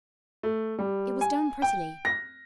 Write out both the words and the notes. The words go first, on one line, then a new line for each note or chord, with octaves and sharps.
It was done prettily.
A3
G3
G#5
G5
A#6